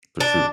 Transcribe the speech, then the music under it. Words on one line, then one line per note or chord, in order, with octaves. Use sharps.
For sure.
D4